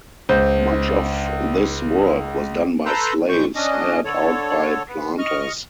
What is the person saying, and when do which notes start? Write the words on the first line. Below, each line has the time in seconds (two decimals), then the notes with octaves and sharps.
Much of this work was done by slaves hired out by planters.
0.29 C#2 C5
2.86 A4 B4 A#5 C6 E6 G6
3.29 F2 A#2 C#6 G6
3.55 C#4 D4 D#5
4.05 D3 A4 C#5
4.88 B3
5.18 D#5 C#6 F6